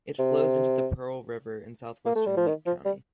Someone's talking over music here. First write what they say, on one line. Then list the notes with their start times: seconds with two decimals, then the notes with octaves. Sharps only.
It flows into the Pearl River in southwestern Leake County.
0.19 C3
2.06 A#3
2.16 A3
2.26 G3
2.37 F3
2.48 D#3
2.67 F3
2.85 G3